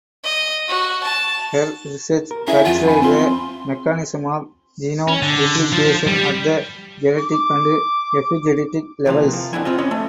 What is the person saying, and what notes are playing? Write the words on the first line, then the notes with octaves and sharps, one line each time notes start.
Her research considered the mechanisms of genome replication at the genetic and epigenetic levels.
D#5
F#4
A5
A#4
C#4 E4 G#4 E5
F2 F4 F#5 A5
G#5 B5
C4 F4 C6
C#4
D3
F3
G3
D6
C3 E3 F3 A#3
F3
F2 D3 F#3 E4 G#5
C4 F4 D#5
C#4 D#5 B5
A3